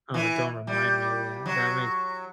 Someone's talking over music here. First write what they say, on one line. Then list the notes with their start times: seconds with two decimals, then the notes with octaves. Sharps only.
Oh, don't remind me of that, that makes
0.14 E3
0.67 G3
1.46 F#3